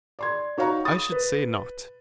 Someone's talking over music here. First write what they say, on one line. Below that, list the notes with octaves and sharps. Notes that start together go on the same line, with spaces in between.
I should say not.
D5 C6 G#6
D#4 F#4 C#5 F5 A#5
D#6 A6
B4